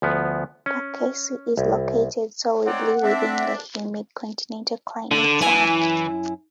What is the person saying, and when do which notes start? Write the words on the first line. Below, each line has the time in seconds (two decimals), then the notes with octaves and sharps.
Perkasie is located solidly within the humid continental climate zone.
0.02 D2 F3 B3
0.66 C#4
1.57 C2
2.66 C4 D#4 C#5 D5 F#5
3.03 C4 D4 E5
5.11 D3
5.41 F#2 E3 E4 G#5